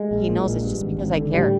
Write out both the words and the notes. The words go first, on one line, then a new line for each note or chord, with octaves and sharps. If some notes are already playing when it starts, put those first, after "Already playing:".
he knows it's just because I care.
Already playing: G#3
A#1
A#2
A#1
G2
G#1
G#1
D3
A2 G3